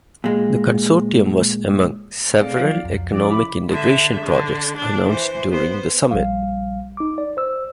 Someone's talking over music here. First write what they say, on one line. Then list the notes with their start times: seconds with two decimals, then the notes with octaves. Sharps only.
The consortium was among several economic integration projects announced during the summit.
0.24 A#2 G#3
2.40 A3 C4 G#4 D5 F5
2.59 F3 F#3 F4
2.83 C2 F2
3.13 F3 C#4 D5 D6
3.29 C#3 E4 B5 D6
3.70 D3 E5
4.25 D3
4.77 D4
5.08 E3 C5
5.51 B3 C5
6.11 A#1 G3 F5
6.97 D#4 D6
7.18 D5
7.37 C5 E6